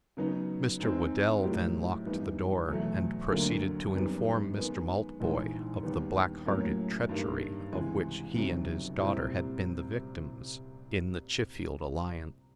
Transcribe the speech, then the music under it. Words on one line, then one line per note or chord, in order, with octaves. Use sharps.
Mr. Whedell then locked the door, and proceeded to inform Mr. Maltboy of the black-hearted treachery of which he and his daughter had been the victims, in the Chiffield alliance.
C#3 F#3 B3 D#4
G#2 D#3 G#3 C4 D#4
A2 F#3 A#3 D#4 G4
G2 E3 G3 B3 D#4
E2 B2 F#3 A3
D2 D3 F#3 A#3 D4
F#2 D#3 G3 B3
D#3 G#3 B3
A#1 G#2 E3 G#3
D#2 D#3 G3 B3
A2 F#3 A#3 C#4
G2 D#3 G3 A#3
C#2 C3 E3 G#3
F#1 F2 C3 D#3 F#3
C2 A#2 G3 C4 E4